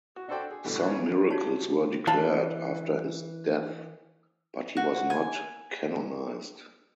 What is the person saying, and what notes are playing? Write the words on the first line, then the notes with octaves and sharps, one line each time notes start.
Some miracles were declared after his death but he was not canonised.
F#4
D4 F#4 A4 C5 D5 G5
G#4
G2 B2 D3 E3 A3 G4
A1 A2 C#6 F#6
F#3 G3 B3 C#4 C#5
D#4 F4 F#4 C#5 A5
E3 F5 A5 B5
F#4
G#5